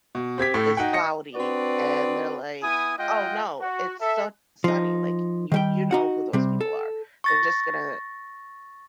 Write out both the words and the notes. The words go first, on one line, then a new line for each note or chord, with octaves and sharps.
it's cloudy, and they're like, oh no, it's su sunny, like, you you know who those people are, they're just gonna
B2
C4 G4 G#6 B6
A2 A3
D#4 F#4 F#5 G5
D#5 A#6 C#7
C4 D4 F#4 B4 D5
B3 E4 G#5 D#6
G#3 F4 D#5 F#5 G5
F#4
A4 E5
F3 D#4
D#3 G3 G5
D#4 F#4 F#5
C3 G3 C4
A4
C#6 A6 A#6